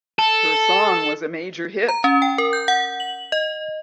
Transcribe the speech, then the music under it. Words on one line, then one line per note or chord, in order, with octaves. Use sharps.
Her song was a major hit.
A4
A#5
C#4
G5
A#4
G6
F#5
F#7
D#5